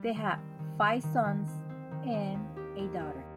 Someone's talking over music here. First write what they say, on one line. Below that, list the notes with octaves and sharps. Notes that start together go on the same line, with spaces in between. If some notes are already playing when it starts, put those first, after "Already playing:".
They had five sons and a daughter.
Already playing: G3
D#3
C4
D#3
D#3
D#3
D#3
C4
C4
D#3
D#3
D#2
G4
D#2
D#2